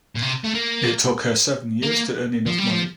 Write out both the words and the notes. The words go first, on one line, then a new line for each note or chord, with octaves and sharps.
It took her seven years to earn enough money.
A#2
C3
A3
A#3
A#3
F3
G3
F3